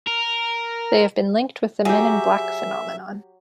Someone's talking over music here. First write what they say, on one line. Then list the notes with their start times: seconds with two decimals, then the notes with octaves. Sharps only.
They have been linked with the Men in Black phenomenon.
0.07 A#4
1.85 F#3 G4 G#4 E5